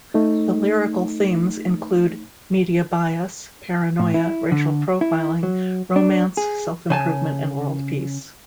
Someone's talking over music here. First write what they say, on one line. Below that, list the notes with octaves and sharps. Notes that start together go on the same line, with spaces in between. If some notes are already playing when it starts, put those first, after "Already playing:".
The lyrical themes include media bias, paranoia, racial profiling, romance, self-improvement and world peace.
A3 D#4
A2
E4
D3
E4
F#3
D4
G#4
C#3 G#5 A5